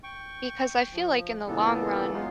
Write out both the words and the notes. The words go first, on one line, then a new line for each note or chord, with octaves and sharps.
because I feel like in the long run,
G5 C#6
F3
A#2 C#3 E3 B3 A4
F#3 G#3 B3 D#4 F4